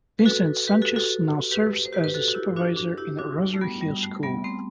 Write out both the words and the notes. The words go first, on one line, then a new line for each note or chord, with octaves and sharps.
Vincent Sanchez now serves as the Supervisor in Rosaryhill School.
B4
F#4 A4
G4 B4
F#4 A4
F#4 A4
G4 B4
C5
G4 B4
B4
F#4 A4
F#4
E4 G4
D4 F#4
D4 F#4
E4 G4
D4 F#4
A3
G3 B3
G3
A3
G3 B3
A3 C4